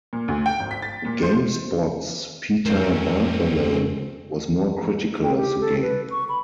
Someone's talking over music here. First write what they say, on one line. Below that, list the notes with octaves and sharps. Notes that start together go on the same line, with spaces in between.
GameSpot's Peter Bartholow was more critical of the game.
A#2
D2
G5
G#1
B6
A6
A#2
C5
F2 G#3 C4 C#4 A#4
G5
G4
A4
B4
C#6
B5